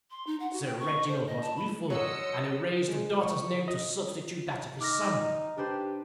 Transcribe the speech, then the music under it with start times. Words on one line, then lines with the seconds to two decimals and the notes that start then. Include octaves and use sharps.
Sir Reginald was wilful, and erased the daughter's name to substitute that of his son.
0.11 C6
0.27 D#4
0.40 F#5
0.53 F#4
0.66 G5
0.79 C#6
1.08 C5
1.26 D#5
1.41 A5
1.56 B5
1.90 F#3 C#5 D#5 F#5 C6 E6 C#7
2.88 G#3
3.22 C#6
3.68 D#5
4.80 D#4 D6 F6 A#6
5.57 D4 G4 B4 C5